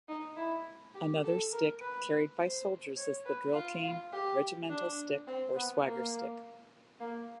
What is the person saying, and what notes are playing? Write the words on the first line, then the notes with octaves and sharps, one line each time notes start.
Another stick carried by soldiers is the drill cane, regimental stick or swagger stick.
D#4
E4
G4
A4
A#4
B4
C5
C#5
B4
F4
F4
G4
D4
C4
B3
A#3
A#3